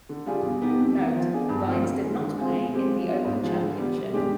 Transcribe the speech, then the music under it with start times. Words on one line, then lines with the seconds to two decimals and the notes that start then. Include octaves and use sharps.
Note: Vines did not play in The Open Championship.
0.09 D3
0.26 G3 D4 F4 G#4
0.44 B2
0.62 B3 D#4 G4
0.79 F2
0.96 D#3 B3 D#4
1.14 F3
1.32 B3 D4 G#4
1.49 G2
1.67 D3 F3 C4
1.84 C3
2.02 D#3 G#3
2.20 D3
2.37 G#3 C4 F4 G#4
2.55 B2
2.73 G#3 C4 G4
2.90 F3
3.08 B3 D4 F4
3.25 G#2
3.43 F3 G#3
3.61 D3
3.78 G3 B3
3.95 B2
4.13 G#3 D4 G4